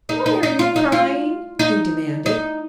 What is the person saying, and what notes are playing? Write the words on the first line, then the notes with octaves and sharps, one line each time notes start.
"Why are you crying?" he demanded.
D#4
D#4
D#4
F4
D#4
F4
D#4
D#4